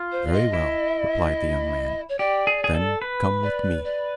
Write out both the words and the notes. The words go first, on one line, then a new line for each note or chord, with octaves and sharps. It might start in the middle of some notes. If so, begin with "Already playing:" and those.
'Very well,' replied the young man; 'then come with me.'
Already playing: F4
C5
D5
D#5
E4
C#5
G4 D5
G#4
G#4
A4
B4
D5
D5